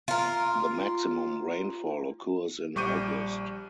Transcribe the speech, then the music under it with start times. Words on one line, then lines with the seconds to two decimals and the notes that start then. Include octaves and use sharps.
The maximum rainfall occurs in August.
0.08 F4 A#4
2.76 A#1 G3 C#6 D6 G6 D#7